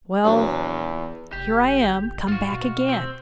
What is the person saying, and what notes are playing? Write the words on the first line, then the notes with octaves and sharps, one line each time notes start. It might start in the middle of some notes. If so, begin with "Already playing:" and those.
Well, here I am, come back again!
A#1 E2 F#3
F1 G4
G1
G#2 F4 F#4
B2
C4